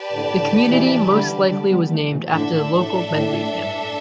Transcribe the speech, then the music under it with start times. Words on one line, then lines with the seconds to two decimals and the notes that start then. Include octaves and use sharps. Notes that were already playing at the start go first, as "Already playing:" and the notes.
The community most likely was named after the local Medley family.
Already playing: G4 B4 D5 A5
0.12 A2 D3
0.39 A2 D3
0.66 B2 E3
1.07 D3 G3
1.48 D3 G3
1.69 G3 B3
1.89 E3 A3
2.10 B2 E3
2.30 A2 D3 D4 A4 E5
2.71 A2
3.12 A2
3.53 G2